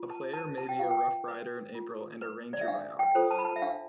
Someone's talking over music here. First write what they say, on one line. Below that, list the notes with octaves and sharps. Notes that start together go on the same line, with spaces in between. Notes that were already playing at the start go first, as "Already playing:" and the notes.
A player may be a RoughRider in April and a Ranger by August.
Already playing: F4
A5
B4 A5
A5
G5
F4 F5
G5
B4
F4
B4
D5
E5
D4 F5
G5
F4 A4 C5
A5
B5
A5
E5
D4 F5